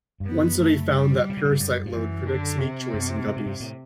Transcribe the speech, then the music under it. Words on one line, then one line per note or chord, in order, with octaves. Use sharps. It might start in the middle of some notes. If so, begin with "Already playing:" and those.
One study found that parasite load predicts mate choice in guppies.
G2
F#2 B3
A3
G3
C3
B2
A2
G2
F#2
G2
F#2 E3
D3
C3
F#2
G2
A2
G2
A2